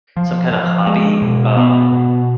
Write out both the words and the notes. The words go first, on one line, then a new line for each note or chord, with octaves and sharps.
some kind of hobby, um,
F3
F3
G#3
B2
B3
B2